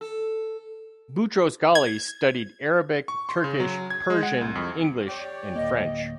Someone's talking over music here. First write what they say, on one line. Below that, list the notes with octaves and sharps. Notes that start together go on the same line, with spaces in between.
Boutros Ghali studied Arabic, Turkish, Persian, English and French.
A4
G#6
C#6
C6
C#3
F#3
G#6
G#3
F#5
C2
F2
G4 C#5 D5
D1 A#3 D#5